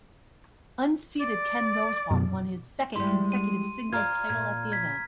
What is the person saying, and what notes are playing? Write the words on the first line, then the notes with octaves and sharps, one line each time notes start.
Unseeded Ken Rosewall won his second consecutive singles title at the event.
D5
F#2 B2
G3 G#3 E4 C6
D#7
F4 D5 A#5 F6 G#6
A#2 G#6
G#6 B6